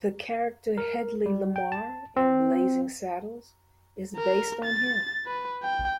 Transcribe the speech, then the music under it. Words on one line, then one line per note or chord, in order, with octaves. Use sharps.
The character Hedley Lamarr in "Blazing Saddles" is based on him.
A#4
G3
G5
A5
C4
A#4
A6
B4
G5